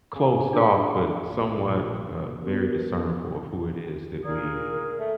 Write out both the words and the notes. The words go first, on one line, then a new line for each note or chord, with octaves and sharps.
closed off, but somewhat, uh, very discernful of who it is that we
C#3
D4 D5 F5
A#1
B3 C#4 F#4 A#4
A#2 G#4 A#4
A3